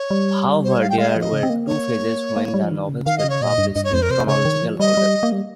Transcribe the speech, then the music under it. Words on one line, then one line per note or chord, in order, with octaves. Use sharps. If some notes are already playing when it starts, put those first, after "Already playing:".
However, there were two phases when the novels were published in chronological order.
Already playing: C#5
G3
C5
C#5
F5
G5
G#3 F5
D#5
F3
D#5
C#3
C4
A#3
C#5
A#3
G3
F3
D#3
C#3
D#3 F5
D#5
C#3
C#5
A#2 D#5
G2
G2 D#5
C#5
F2 C5
A#4
C3 C5
C#3 C#5
D#3
F3
G3 D#5
G3
A#3
G3